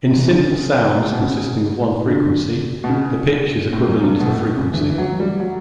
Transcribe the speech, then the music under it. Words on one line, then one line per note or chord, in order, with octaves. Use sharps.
In simple sounds consisting of one frequency, the pitch is equivalent to the frequency.
E3
D3
C#3
B2
C#3
D3
B2
C#3
A2
F#2
G2
B2
A2
C#3
E3
D3
E3
F#3
G3
F#3